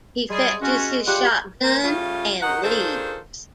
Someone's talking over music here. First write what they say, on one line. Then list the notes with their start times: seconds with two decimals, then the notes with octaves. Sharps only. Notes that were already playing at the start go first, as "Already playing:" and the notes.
He fetches his shotgun and leaves.
0.30 G3 G#3 G#4
0.62 C#4 F#4 E5
1.07 G3 F4 G4 F#5
1.63 A#3 C5
1.83 C#3 G3 A3 F4
2.42 D#3 F#3 D#5 F#5
2.63 D#3 D4 F4 G#4 A4 C5